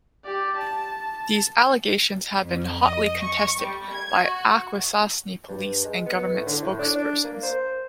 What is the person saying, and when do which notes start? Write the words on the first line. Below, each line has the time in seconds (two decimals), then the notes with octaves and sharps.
These allegations have been hotly contested by Akwesasne police and government spokespersons.
0.24 G4 D5
0.56 A5
2.44 F2
2.82 D#5
3.22 C#6
3.59 G3
3.92 G#6
4.24 F#4
5.48 G2
5.85 G#3
6.06 B3
6.33 A2
6.46 D3
6.62 A2
6.79 D4
6.95 D4
7.24 A#3
7.43 C5